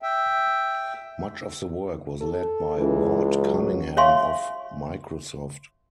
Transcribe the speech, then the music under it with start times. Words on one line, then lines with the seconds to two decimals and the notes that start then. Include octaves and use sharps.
Much of the work was led by Ward Cunningham, of Microsoft.
0.02 E5 G5
2.21 A4
2.77 C#2 E3
3.42 F#3
3.97 C#5 E5 F5 G#5 C6 C#6